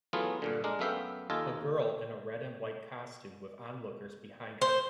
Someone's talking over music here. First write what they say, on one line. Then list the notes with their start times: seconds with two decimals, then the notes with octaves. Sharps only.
A girl in a red and white costume with onlookers behind her.
0.13 E3 F#3 A3 B3 F4 G#4
0.42 G2 A#2 D3
0.64 G#3 D4 A#4
0.79 F#2 A3 B3 E5 F5 G5
1.30 D#2 F4 A4 D#5 G#5
4.61 C5